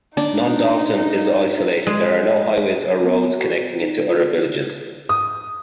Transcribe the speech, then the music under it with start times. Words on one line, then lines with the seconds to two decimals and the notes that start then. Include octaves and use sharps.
Nondalton is isolated: there are no highways or roads connecting it to other villages.
0.17 D4 D#4
1.87 G#3
3.04 B3
3.37 F#4
3.79 D#4
4.09 F4
5.09 D#6